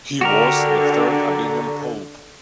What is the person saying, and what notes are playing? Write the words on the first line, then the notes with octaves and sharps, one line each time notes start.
He was the third Avignon Pope.
D3 F#4 G4 A#4